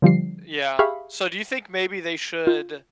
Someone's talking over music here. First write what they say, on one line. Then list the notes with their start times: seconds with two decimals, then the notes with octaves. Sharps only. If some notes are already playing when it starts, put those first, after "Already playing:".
Yeah, so do you think maybe they should
0.02 D3 F3 G3 C7
0.79 G4 G#4 E5 F5 B5 C#6
2.47 F4